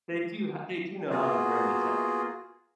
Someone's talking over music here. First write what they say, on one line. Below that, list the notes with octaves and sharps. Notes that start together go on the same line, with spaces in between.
They do h they do know how to bring the tech.
A#3 B3 F4 F#4 G#4